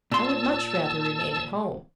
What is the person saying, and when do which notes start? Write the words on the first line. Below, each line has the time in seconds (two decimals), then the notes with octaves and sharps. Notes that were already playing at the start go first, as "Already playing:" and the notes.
I would much rather remain at home.'
0.12 A#2 A5 C6 E6